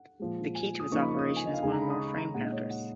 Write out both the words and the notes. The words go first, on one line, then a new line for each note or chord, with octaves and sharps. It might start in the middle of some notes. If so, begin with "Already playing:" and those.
The key to its operation is one or more frame counters.
Already playing: F#5
A#2 F3 G#3
G#5
D#6
C#3 F3 A#3 D#4 C#6
B5
C#6
D#6
C#6
G#5
D#5
F5
C#3 G#3 D#4 G#5
A#5
B5
D#6
C#6
B5
A#5
A#2 G#3 D#4 F#5
D#5
C#5
D#5
F#5